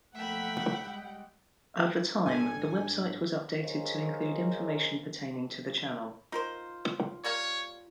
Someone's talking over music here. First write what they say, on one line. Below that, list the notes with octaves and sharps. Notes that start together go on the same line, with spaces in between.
Over time, the website was updated to include information pertaining to the channel.
B1 F3 A3 A#3 E5 F#5 G5 B5
G3 G#3
A1 A2 G#3 C4 D4 A4 G#5
G#4 A#4 C5 C#5 D#5 F5
D#4 F4 A#4 C5
G3 A#3 C#5 F5